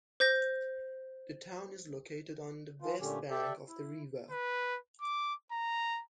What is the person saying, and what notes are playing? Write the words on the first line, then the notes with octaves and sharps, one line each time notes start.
The town is located on the West Bank of the river.
C5 G6 A#6
E3 F3 F4
A#2 D3 A3 C#4 G4
G4 A4 D5 E5 G5
E4
B4
D6
A#5